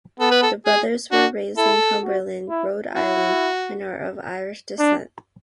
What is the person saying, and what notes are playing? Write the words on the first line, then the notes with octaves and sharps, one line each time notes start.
The brothers were raised in Cumberland, Rhode Island and are of Irish descent.
B3 A4
B4
A4
G#4
D4 F#4
E4 A4
F#4
E4
E4 F#4
D4